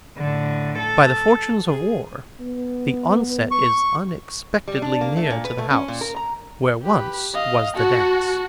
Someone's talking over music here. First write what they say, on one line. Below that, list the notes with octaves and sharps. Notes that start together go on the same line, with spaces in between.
By the fortunes of war the onset is unexpectedly near to the house where once was the dance.
A2 D3
A4
G#4
B3
C#6
G3
D4
A#3
A3
A#2
B4
A3
C#4
A#2
A#4
A#5
G4 B4
D#5 F5
F#4 A5 C#6